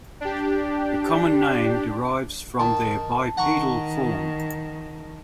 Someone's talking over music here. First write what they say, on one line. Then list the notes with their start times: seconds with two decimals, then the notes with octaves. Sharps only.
The common name derives from their bipedal form.
0.21 D4 G4
2.60 D#3 A5
3.37 D#3 F#5 A#5 C#6